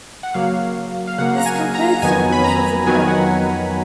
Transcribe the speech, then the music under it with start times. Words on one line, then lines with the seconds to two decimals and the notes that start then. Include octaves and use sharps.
This completes the proof of the claim.
0.23 F#5
0.34 C#3 F#3 A#3 F5
1.07 F5
1.18 C#3 F#3 A#3 F#5
1.38 A#5
1.46 G#5
1.75 A#5
1.92 A#5
2.02 F2 D#3 F#3 B3 G#5
2.32 B5
2.44 A#5
2.86 F2 D#3 F#3 B3 G#5
3.08 F#5